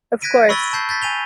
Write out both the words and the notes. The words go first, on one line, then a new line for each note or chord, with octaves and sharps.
of course.
F#6 G#6 A#6 B6 D7 D#7
B5 C#6 E6 A6 A#6 G7
A5 G6 C7
G6 A6 B6
G#5 D#7 F7 G7